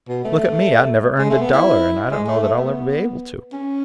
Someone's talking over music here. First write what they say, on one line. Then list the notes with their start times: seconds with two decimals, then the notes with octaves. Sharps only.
"Look at me; I've never earned a dollar, and I don't know that I'll ever be able to."
0.08 B2
0.25 A3
1.18 G#3
1.30 A3
1.41 B3
1.53 E4
2.11 G#3
2.27 A3
2.43 A3
2.58 B3
3.52 C#4